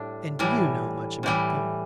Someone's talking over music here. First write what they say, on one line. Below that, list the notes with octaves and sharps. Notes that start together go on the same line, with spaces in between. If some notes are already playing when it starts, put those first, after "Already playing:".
"And do you know much about them?"
Already playing: A2 G3 D4
A2 E3 G3
A2 E3 G3